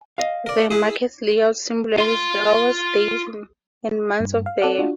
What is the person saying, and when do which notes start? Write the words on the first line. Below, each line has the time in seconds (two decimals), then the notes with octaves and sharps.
The market's layout symbolizes the hours, days, and months of the year.
0.18 D#5 F5
0.46 A#4 D5
0.71 E4 G#4
1.98 F4 C6
4.20 G2
4.46 F5
4.62 C4 A4 D5 F#5
4.79 D4 F4 F#4